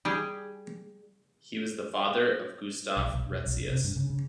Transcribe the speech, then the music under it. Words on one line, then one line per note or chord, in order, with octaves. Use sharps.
He was the father of Gustaf Retzius.
G3 G4 G#4
B1
B1
E1
B1
F1
C3
G2
C#3
C#3